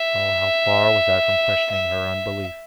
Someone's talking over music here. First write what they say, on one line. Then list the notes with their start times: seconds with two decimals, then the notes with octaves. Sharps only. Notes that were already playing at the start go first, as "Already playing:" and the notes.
How far was I from questioning her unbelief!
Already playing: E5
1.72 E5